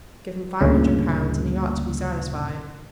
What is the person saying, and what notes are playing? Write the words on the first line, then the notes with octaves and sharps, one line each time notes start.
Give him five hundred pounds, and he ought to be satisfied.
D2 G2 A#2 C#3